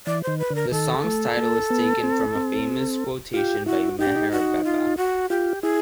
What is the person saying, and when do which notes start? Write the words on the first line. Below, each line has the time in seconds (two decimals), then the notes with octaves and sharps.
The song's title is taken from a famous quotation by Meher Baba.
0.06 E3 D5
0.23 D#3 C5
0.38 B4
0.50 D3 A#4
0.71 D#3 A4
1.04 A3
1.37 A#3
1.70 B3
2.03 C4
2.35 C4
3.34 F4 G4
3.66 E4 F#4
3.99 D#4 G4
4.07 D4
4.16 D#4
4.32 F#4
4.65 F4
4.97 F#4
5.30 F4 G4
5.62 E4 G#4